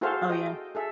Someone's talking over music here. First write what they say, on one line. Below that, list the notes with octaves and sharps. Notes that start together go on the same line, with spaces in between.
Oh yeah.
E4 F#4 G#4 A4 C5 F5
D#5 G5
G#4 A4 E5